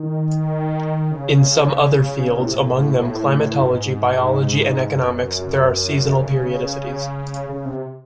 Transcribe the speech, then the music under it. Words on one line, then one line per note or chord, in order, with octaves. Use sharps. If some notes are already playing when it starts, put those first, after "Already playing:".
In some other fields, among them climatology, biology, and economics, there are seasonal periodicities.
Already playing: D#3
C#3
A2
C3
A2
F#2
G#2
F#2
C#3
C#3
C3